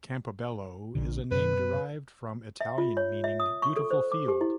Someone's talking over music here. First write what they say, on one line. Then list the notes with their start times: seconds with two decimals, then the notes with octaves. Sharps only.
Campobello is a name derived from Italian meaning "beautiful field".
0.95 A#1 A#2 D3
1.31 F#2 B2 B4
2.61 E5
2.78 F4
2.97 C#5
3.24 E5
3.40 D#6
3.62 C#6
3.76 A4
3.91 C5
4.12 D6
4.28 G4
4.41 E4